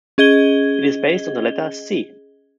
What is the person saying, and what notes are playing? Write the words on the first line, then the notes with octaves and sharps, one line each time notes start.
It is based on the letter "c".
C#4 G#4 D#5 G#6 G7